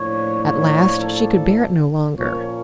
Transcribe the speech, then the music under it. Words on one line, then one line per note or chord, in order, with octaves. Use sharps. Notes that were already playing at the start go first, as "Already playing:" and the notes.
At last she could bear it no longer.
Already playing: A2 F3 A#3 D4 C#5
C#5
A4
A#2 F3 A#3 C#4 C#5